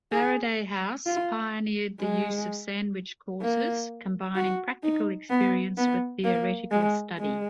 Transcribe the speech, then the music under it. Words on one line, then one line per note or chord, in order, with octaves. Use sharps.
Faraday House pioneered the use of sandwich courses, combining practical experience with theoretical study.
G#4
F4
G#3
A#3
F#4
D#4
B3
B3
A#3
G#3
G#3